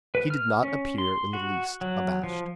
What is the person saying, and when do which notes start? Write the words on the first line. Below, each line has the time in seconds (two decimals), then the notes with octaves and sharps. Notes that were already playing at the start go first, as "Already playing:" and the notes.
He did not appear in the least abashed.
0.15 B4
0.30 F6
0.63 C#4
0.98 C6
1.33 F#4
1.81 F#3
2.24 F3